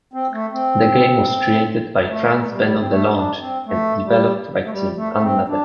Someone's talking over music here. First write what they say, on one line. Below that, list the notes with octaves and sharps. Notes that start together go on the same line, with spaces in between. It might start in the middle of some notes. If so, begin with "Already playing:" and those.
The game was created by Franz-Benno Delonge and developed by Team Annaberg.
C4
A3
C4
A3
A3
G3
C4
A3
D4
C4
A3
G3
A3
G3
A3
A3
C4
D4